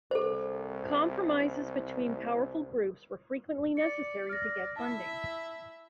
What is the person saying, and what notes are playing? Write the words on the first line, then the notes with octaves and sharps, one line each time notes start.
Compromises between powerful groups were frequently necessary to get funding.
C2 A4 C5
D5 C#7
D5 F6 A#6
E4 E5 A5